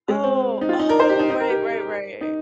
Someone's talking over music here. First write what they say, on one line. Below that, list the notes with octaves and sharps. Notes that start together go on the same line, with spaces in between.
Oh. Oh, right, right, right.
G#3
C4
D#4
F4
D#4
A#4
C5
G4
D#4
D#4
A#4
G4
D#4